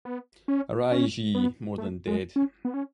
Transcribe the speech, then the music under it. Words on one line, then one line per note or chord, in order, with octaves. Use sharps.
Arise ye more than dead!
B3
C#4
C#4
B3
A3
G#3
C#4
B3
C#4